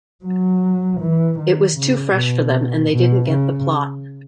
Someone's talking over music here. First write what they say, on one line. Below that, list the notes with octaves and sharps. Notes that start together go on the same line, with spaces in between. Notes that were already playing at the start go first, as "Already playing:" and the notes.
It was too fresh for them and they didn't get the plot.
F#3
E3
D#3
C#3
B2
B2
C#3